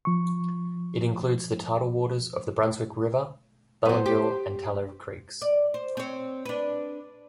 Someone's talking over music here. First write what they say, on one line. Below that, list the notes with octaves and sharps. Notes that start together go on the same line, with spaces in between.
It includes the tidal waters of the Brunswick River, Belongil and Tallow creeks.
F3 C#6
F#3 B3 C5
G4
D5
C5
C4 C#5
D4 B4